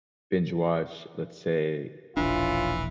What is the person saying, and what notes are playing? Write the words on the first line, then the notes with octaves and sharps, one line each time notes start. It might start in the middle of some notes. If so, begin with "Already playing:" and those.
binge watch, let's say,
E1 A#1 E3 C#4 D4 F4